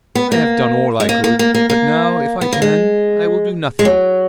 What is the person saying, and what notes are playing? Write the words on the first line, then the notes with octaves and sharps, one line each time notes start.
"I have done all I could, but now, if I can, I will do nothing."
B3
A#3
G#3
A#3
A#3
A#3
A#3
A#3
B3
A#3
G#3
G#3
F#3